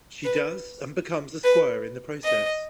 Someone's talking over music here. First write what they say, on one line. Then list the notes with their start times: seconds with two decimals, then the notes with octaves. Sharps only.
She does and becomes a squire in the process.
0.24 B4
1.44 B4
2.24 D#5